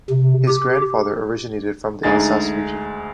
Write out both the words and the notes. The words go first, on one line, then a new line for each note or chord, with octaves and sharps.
His grandfather originated from the Alsace region.
C3
G4
D2 G#3 D#4 G#4 A6